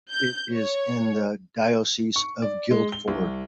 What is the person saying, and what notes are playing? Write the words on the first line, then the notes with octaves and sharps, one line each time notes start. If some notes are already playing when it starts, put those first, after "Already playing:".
It is in the Diocese of Guildford.
G6
C#5
C#6
D5
G#3
G7
C2